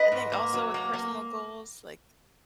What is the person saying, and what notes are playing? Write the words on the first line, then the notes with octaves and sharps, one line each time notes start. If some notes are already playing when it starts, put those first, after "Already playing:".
I think also with personal goals, like
Already playing: B4 D#5
G#2
A#3
F#3
A#3
A#3